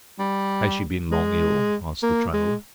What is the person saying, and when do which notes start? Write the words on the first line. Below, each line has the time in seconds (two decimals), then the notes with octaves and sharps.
"Has she been long ill?" asked the traveller.
0.19 G3
1.11 G#3
2.03 A#3
2.33 G#3